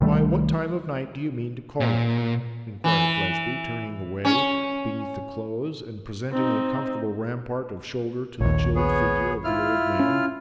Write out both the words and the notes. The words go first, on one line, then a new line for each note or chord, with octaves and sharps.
'Why, what time of night do you mean to call it?' inquired Fledgeby, turning away beneath the clothes, and presenting a comfortable rampart of shoulder to the chilled figure of the old man.
C2 D#3 G3 A3
A#2
E3
C#4
C4 D#4
A#1 D#2 C#5
B3 G#4 C#5
E4 F4 F6
C#4